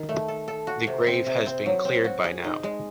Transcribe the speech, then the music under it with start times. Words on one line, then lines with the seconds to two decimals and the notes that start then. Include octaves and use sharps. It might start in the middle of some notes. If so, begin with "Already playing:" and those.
The grave has been cleared by now.
Already playing: D#3
0.09 A3
0.28 A4
0.48 A4
0.67 F#4
0.87 C3
1.07 C4
1.26 C3
1.46 C4
1.66 F#3
1.85 C4
2.04 F#4
2.24 G#4
2.44 D#4
2.64 G#3